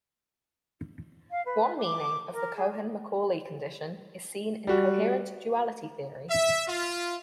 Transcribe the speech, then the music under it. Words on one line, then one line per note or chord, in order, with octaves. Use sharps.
One meaning of the Cohen-Macaulay condition is seen in coherent duality theory.
F5
B4
D6
A#4
G#4
G3 F#4
E5
F4